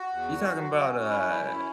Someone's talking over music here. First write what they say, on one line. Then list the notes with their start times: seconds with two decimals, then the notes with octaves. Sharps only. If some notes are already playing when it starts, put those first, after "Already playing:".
You talking about, uh
Already playing: F#4
0.12 E2
0.34 F#2
0.55 F#2
0.77 C#4
0.98 C#4 F#4
1.09 E4
1.21 F#2
1.30 E4
1.43 C#4